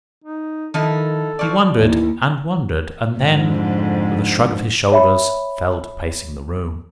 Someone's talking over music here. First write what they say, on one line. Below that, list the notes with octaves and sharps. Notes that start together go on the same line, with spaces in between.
He wondered and wondered, and then, with a shrug of his shoulders, fell to pacing the room.
D#4
D#3 F3 D#4 E4 A4
F3 D5 C#6
D#2 E3 E4
F2 G#2 D3
C#5 E5 B5